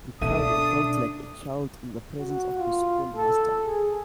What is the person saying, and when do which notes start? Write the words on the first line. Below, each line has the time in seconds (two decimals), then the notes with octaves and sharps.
Ricardo felt like a child in the presence of his schoolmaster.
0.21 B2 D4 A4 E5 D#6 D#7
2.20 F#4
2.57 F4
3.16 A4
3.65 G#4